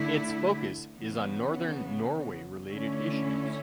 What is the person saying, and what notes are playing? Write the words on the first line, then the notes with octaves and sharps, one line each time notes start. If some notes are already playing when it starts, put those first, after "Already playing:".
Its focus is on Northern Norway-related issues.
Already playing: D3 A3 E4
C#3 E3 B3
D3 A3 C#4 E4